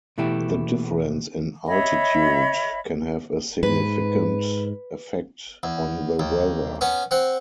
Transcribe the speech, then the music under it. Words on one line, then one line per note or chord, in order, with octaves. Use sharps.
The difference in altitude can have a significant effect on the weather.
B2 E3 A3 E4 G4
C#5 D#5 E5 B5
G#2 B4
E2
D#2
B3 C#4
C4 F#5